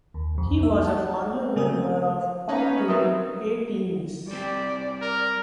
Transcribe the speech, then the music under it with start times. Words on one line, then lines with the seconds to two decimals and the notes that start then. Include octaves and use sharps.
He was a former member of the pop group A-Teens.
0.14 D#2
0.35 C2 F2
0.63 E5
0.84 F#5 A5
1.33 C4
1.56 C#3 A3 C4 A#4 D#6
2.49 C#4 D#4 B4
2.88 F#3 C4 D#4 A#4 B4 E5 D#6
4.31 G3 C4 G4 D5
5.02 A#4